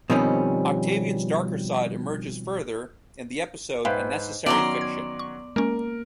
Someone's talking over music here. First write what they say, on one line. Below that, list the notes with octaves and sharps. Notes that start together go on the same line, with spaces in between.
Octavian's darker side emerges further in the episode "A Necessary Fiction".
B2 D#3 F3 G3 C4 C#4
G#2 B4 C5 E5 F5 G5
D#3 F#3 B3 C#4 D5 E5 A#5 C6
G#6
C#6
G#3 A#3 C#4 A#4